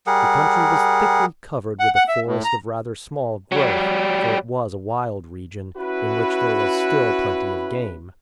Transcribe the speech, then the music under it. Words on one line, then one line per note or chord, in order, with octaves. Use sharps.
The country was thickly covered with a forest of rather small growth, for it was a wild region, in which there was still plenty of game.
G3 G#4 A#4 F#5
F#5
F#5
E5
A2
A#5
F#3 G3
C#4 E4 F#4 B4